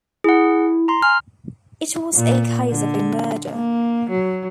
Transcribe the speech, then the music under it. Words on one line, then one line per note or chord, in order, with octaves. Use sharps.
It was a case of a murder.
E4 G#4 F#5
A#5 C6
G#5 F6
A#2
D3
A#3
F#3